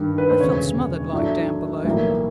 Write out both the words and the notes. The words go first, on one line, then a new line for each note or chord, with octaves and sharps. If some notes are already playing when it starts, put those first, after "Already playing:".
I felt smothered like down below.
Already playing: G2 D#3 G3
B4
C5
E1 D2 C#3 C#5
A2 F#3 A3 D4
B1 A2 E3 G3 A#3